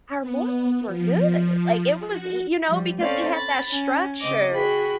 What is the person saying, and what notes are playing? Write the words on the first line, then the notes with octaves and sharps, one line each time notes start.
our mornings were good." Like, it was y you know, because we had that structure
B3
F3
F#4
F3 G3
C4 C#4 A4 C5 D5 F5
B5 A6
C#4
C#3 C4 D#5 D6 A#6
F#4 G#4 G5 B5